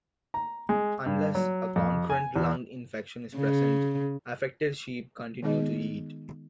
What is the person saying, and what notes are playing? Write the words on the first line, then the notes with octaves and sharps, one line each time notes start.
Unless a concurrent lung infection is present, affected sheep continue to eat.
A#5
G#3
G2
F#3
F2
G#5
E2
C#3
D#3 G#3 B3 D#4 G#4 D#5